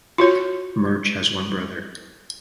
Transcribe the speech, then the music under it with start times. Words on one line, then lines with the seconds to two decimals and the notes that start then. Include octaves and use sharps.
March has one brother.
0.18 F4 F#4 C#5